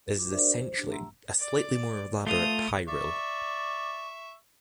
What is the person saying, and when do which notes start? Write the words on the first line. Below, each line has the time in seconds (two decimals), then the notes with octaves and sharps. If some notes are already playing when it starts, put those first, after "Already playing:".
This is essentially a slightly more elaborate pie rule.
0.15 F4 D6
0.29 D4 F#4 A#4 C5 D5 E5
0.56 C5
0.77 D4 G4
0.89 A3 E5 F#5 A#5 C6 E6
1.39 D5
2.27 A3 F4 D#6 D#7 F7 G7
2.88 D5 E5 C#6